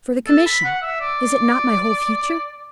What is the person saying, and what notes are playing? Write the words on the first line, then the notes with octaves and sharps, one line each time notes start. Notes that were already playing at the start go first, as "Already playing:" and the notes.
"For the commission; is it not my whole future?"
A4
B5
F#5
E5
D5